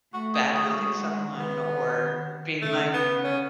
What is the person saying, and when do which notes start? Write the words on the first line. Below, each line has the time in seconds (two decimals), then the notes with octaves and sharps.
bad-mouthing someone or being like
0.13 A3 F#4
0.34 G#4
0.55 F#4
0.63 G#4
0.70 F#4
0.76 G#3
1.38 D#3 B3
2.62 C#3 A3
2.93 B3
3.24 C#4